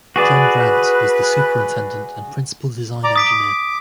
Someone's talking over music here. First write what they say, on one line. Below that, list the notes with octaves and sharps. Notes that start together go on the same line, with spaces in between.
John Brandt was the superintendent and principal design engineer.
F#4 G#4 B4 D5
D5 A#5 D6
D6 D#6 B6 D7